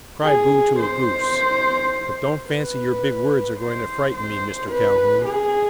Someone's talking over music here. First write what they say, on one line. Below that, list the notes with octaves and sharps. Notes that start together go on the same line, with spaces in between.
Cry boo to a goose; but don't fancy your big words are going to frighten me, Mr Calhoun!
G#4
C5
B4
C5
C5
B4
G#4